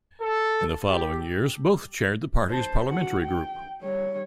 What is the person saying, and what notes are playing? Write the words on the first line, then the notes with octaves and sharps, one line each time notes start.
In the following years, both chaired the party's parliamentary group.
A4
G4
C5 A5
F#4 F#5
G5
G3 C#5